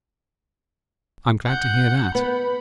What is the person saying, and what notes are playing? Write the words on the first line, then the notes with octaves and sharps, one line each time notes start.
I'm glad to hear that.
F#5 G6
B3 B5